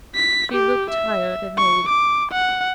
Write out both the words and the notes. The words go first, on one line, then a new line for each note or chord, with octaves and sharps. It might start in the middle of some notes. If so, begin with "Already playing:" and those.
She looked tired and old.
B6
G4
E5
C#6
D6
F#5